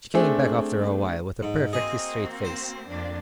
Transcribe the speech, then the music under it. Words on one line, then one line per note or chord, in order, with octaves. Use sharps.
She came back after a while, with a perfectly straight face.
A3 C4 D4 G#4
G#2
A#3 C4 F#4 G#4 D#5
C5
F2 A#3 D4